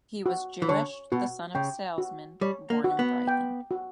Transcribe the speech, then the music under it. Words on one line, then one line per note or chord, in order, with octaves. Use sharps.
He was Jewish, the son of a salesman, born in Brighton.
F#4
E3
D3 C#5
B2 F#4
C#3 G5
F#4
G3 C#5
A#3
F#4
B3
G5
F#4